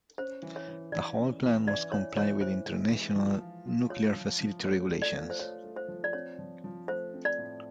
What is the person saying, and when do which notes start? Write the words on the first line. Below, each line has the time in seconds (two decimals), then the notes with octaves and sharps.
The whole plant must comply with international nuclear facility regulations.
0.18 C#4 C5
0.42 E3
0.56 C#5
0.68 E3
0.92 E3 D5
1.18 C#4
1.42 E3
1.67 E3 D5
1.92 E3 C#5
2.17 E3 C#5
2.41 E3 C5
2.67 G#3
2.91 E3
3.15 F3
3.41 F4
3.66 F4
3.90 F4 C#5
4.16 F3
4.40 F3
4.65 A3 C#5
4.90 A3
5.02 D5
5.14 F4
5.30 C5
5.40 F4 C#5
5.64 A3
5.76 C5
5.88 F3
6.04 D5
6.13 C4 C#5
6.39 F3
6.64 F3
6.88 A3 C5
7.14 C4
7.25 D5
7.38 A2